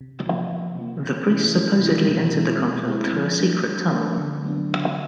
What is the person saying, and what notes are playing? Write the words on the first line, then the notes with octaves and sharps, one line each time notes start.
The priests supposedly entered the convent through a secret tunnel.
C3
F3 A#3
C3
F3 A#3
C3
E3 G#3 C#4 E4
C3
E3 G#3 C#4 E4
B2
G#3 C4 E4
B2
G#3 C4 E4
F3
A3 D4
F3
A3 D4
D3
F#3 B3 D4
D3